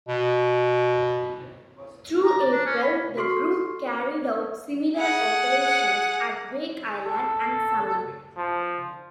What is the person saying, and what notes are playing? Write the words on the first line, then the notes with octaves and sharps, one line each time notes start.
Through April the group carried out similar operations at Wake Island and Samar.
B2
A#5
D5
D4
C#4
B5
F#4 A4 C6 C#6 F6 C7
G#4 F#5
A4
F3